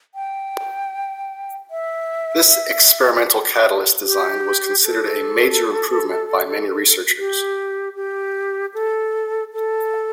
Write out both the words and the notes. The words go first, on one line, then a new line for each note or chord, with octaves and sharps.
This experimental catalyst design was considered a major improvement by many researchers.
G5
E5
G4
A4
G4
G4
A4
A4